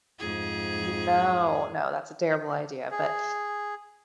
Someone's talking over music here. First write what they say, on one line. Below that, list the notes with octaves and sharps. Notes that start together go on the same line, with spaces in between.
No, no, that's a terrible idea, but
F2 G#2 G#4
G#4